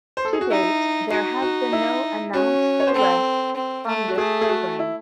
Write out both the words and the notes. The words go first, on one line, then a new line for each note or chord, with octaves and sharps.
To date, there have been no announced arrests from this program.
C5
A4
G#4
F#4
D#4 E4
D#4 F#4
F#4
E4
C#4 F#4
C#5
C5
C4 A4
C4
A3
F#4
A3 G#4
G#4
F#4
E4